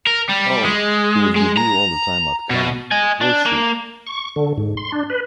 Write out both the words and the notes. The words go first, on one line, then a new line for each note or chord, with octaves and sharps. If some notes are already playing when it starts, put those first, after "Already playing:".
Oh, she was with you all the time at Cannes, was she?
A#4
G3
G#3
G#3
A#5
B2
D#5 G#5
D4
A#3
C#6
D3
G#2
C6
D4
B4